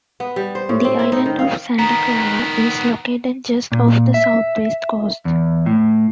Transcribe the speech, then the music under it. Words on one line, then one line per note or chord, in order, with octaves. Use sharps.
The island of Santa Clara is located just off the southwest coast.
B3
G3
C5
A2
C4
E4
D#4
D#3
F5
D#3 B3 A#5
A#2
E5
E2
A2